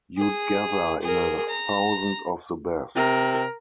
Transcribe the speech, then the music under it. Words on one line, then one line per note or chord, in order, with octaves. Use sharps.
You'd gather in a thousand of the best.
G#4
G#4 A#4
A#5
C3 A#4